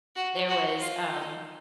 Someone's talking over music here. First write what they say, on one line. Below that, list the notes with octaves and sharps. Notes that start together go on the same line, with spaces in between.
there was, um,
F#4
F#4
F4
D#4